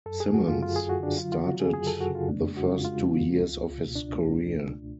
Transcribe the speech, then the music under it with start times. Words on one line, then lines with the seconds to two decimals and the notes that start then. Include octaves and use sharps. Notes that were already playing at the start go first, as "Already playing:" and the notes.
Simmons started the first two years of his career.
0.06 F#2 A4
0.20 D3 G#4
0.34 F#4
0.43 F#2 F4
0.62 F#2 F4
0.76 F#2 G#4
0.89 F#4
1.00 D3 D4
1.18 F#3 F4
1.32 C#3 F4
1.46 F#4
1.55 F#3
1.60 G#4
1.73 F#2 G#4
1.87 A4
1.92 F#2
2.01 F#4
2.11 C#3 F4
2.28 F2 D4
2.48 G#3
2.57 F#4
2.66 C#3 F4
2.85 G#3 F4
3.04 G#3
3.22 F2
3.40 C#2
3.59 C#2
3.78 B2
3.96 C#2 D4
4.15 A3